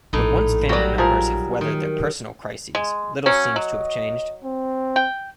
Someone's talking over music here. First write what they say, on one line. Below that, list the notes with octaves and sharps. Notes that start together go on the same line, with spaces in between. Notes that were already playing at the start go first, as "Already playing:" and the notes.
But once family members have weathered their personal crises, little seems to have changed.
A#1 A2 D#4
F#3 G3 F#4 D5
F3 G#4 A#4
D#3
G#3
F#3 C#4
F#3 D#5
C4
G5